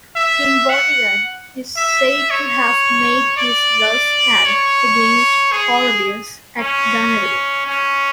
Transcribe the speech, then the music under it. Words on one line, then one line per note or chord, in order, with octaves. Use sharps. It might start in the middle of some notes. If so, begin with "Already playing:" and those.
King Vortigern is said to have made his last stand against Aurelius at Ganarew.
E5
F#5
E5
C#5
D5
C#5
G#4
C#4
C#4